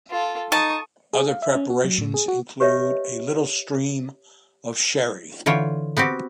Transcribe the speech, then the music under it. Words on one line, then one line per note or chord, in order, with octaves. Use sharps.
Other preparations include a little stream of sherry.
F4 A4
D#4 A5 C#6 D#6
G#4
F5
E5
C#4
F#4
F#3
A2
G#4
F#4
G4 B4 C#5 D#5 E5
D3 E3 F4 C#5 G5
B3 C4 F#4 G4